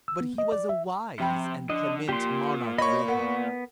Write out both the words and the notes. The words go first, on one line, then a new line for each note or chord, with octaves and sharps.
But he was a wise and clement monarch withal.
E6
B3
D#5
D5
E5
C3 F3 G5 B5
D3 D#5
A#2 G4 C6
C#5 D#5 B5 C#6
B3 A#4 F#5